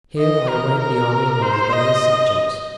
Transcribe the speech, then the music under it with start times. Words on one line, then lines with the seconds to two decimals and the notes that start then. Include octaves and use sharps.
Here I await the army of my rebellious subjects.
0.18 D#5
0.48 A#4
0.79 A#4
1.42 C5
1.72 D#5